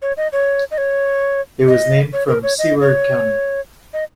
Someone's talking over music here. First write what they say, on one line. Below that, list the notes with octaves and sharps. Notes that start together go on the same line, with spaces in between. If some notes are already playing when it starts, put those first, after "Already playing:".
It was named from Seward County.
C#5
D#5
C#5
D#5
C#5
D#5
C#5
A#4
C#5
D#5
C#5
D#5